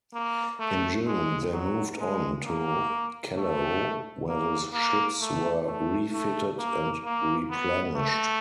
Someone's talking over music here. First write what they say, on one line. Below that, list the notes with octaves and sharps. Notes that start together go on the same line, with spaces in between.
In June, they moved on to Callao, where the ships were refitted and replenished.
A#3
A3
G#3
F#3
G#3
A#3
A3
A#3
A#3
A3
A3
A3
A#3
A#3
B3
A3